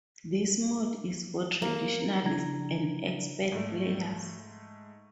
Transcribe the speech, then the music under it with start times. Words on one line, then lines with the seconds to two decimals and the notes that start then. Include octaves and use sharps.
This mode is for traditionalists and expert players.
1.62 A#3
2.23 C#3 F3 D4 E4 A#5 G#6
3.52 G#2 A3